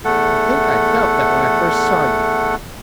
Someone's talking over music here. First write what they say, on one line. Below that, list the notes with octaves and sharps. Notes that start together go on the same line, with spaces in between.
I think I felt that when I first saw you.
E2 A3 A4 F#5